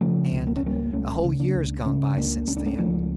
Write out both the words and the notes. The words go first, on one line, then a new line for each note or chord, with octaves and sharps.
And--a whole year's gone by since then.
C#3 F3 A3
C#2
A#3
C#4
C#2 G3 A#3
C#2 A3 C#4
C#3
A#3 D4
C#2
C#3 A3 C#4
C#2 A#3 D4
C#2 C#4
D4
A3 C#4
C#2 F3 A3